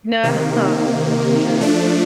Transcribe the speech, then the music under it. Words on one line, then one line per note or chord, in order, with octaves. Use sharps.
No. This is true.
C3 D#3 A#3
F3 A3 D4